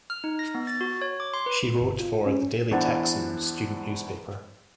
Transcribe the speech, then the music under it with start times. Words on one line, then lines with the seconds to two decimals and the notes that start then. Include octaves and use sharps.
She wrote for "The Daily Texan" student newspaper.
0.10 F6
0.24 D#4
0.39 A#6
0.55 B3
0.67 A6
0.81 F#4
1.02 C#5
1.20 D6
1.34 C6
1.46 B4
1.81 G1
2.00 F4
2.26 C#4
2.71 E2 D4 E4 C5 F#5 A6